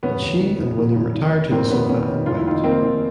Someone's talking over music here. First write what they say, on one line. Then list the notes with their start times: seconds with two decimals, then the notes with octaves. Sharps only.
And she and William retired to the sofa and wept.
0.03 F1 B3 C#4
0.22 D#2
0.40 F1
0.59 F1
0.78 F1
0.96 F1
1.15 F1
1.33 D#3
1.51 F1 A#3 C4
1.70 D#2 B3 C#4
1.89 D#3 B3 C#4
2.08 D#3
2.26 F1 F4
2.37 E4
2.45 D#3 D#4 F4
2.63 D#3 A#3 C4
2.82 F1